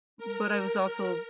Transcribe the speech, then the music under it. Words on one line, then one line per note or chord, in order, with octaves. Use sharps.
but I was also,
A#4